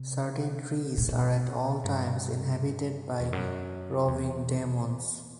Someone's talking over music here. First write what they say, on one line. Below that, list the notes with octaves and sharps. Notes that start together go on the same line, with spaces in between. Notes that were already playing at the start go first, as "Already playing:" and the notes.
Certain trees are at all times inhabited by roving demons.
Already playing: C3
A2
B2
G2
E2
F#2
E2